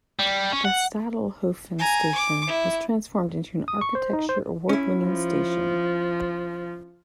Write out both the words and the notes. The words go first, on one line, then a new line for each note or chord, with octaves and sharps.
The Stadelhofen station was transformed into an architecture award-winning station.
G3
C#4
F#5
G#5 A#5
D6
E4
D#6
C#6
C5
D#4
C5
C#4 E4
F3